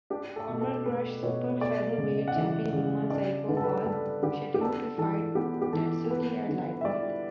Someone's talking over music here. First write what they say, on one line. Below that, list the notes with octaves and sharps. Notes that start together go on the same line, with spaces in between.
Former Krush Super Featherweight champion Yuma Saikyo was scheduled to fight Tatsuki at lightweight.
D4 G4
A4
B2
A4
A3 B4
B2 C#5
A3 D5
C#3
F#5
E3 E5
C#3
D4 D5
D3 B4
A4
B4
G3 A4
D3 G4
G4
D4 A4
E3 A4
B3 G4
G4
E3 A4
A4
B3 B4
D3
E5
G3 D5